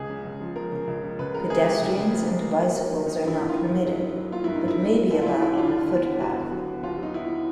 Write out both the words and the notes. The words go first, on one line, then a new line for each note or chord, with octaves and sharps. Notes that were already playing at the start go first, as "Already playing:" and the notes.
Pedestrians and bicycles are not permitted, but may be allowed on a footpath.
Already playing: C#2 G#4
C#3
C#2
F3
F3 A#4
C#3
C#2
C#3
C#2 B4
G#3 A#4
G#3 G#4
F3 G4
C#2 G4
C#3
F3
G#3
A#3
A#3
F#3
D#3
D#3 D#4
G2 E4
G2
F4
D#3
G2
F#3
D#3
F#3
A#3 F4
G2 E4
D#4
G2 E4
D#3
F#3
D#2 E4
F4
D#2 E4
D#2 E4
F#3 F4
D3
B3
B3
D3 F#4
B3
F#3
B3
D#2 F4
F#3 D#4
B3 E4